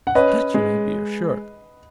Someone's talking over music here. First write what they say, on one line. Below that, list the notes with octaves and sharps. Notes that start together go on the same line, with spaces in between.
Of that you may be assured.
F#5
C#4 B4 D#5
G#3